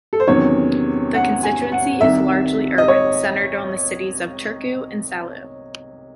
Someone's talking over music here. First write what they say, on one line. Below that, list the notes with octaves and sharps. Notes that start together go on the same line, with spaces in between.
The constituency is largely urban, centred on the cities of Turku and Salo.
A4
C5
E2 C3 D#3 F#3 C#4 C#5
F#5
G#5
F#5
C2 C3 D#3 E5
D#5
C#5